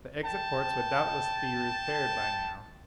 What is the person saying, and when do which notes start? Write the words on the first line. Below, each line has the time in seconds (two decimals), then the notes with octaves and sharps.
The exit ports would doubtless be repaired by now.
0.24 G5 A5